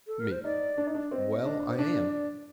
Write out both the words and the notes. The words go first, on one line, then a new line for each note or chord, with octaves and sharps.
ME: Well, I am.
A4
A#4
C5
D#4 D5
D4
D#4
D4
C4 D#5
D4
C5
D4 D5